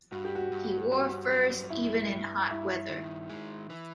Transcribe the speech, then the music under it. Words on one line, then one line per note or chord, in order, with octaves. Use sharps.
He wore furs even in hot weather.
G2 F#4
G4
F#4
G2
G2 F#4
F#3
G2 E4
G2
G2 E4
D#3
G#3
E3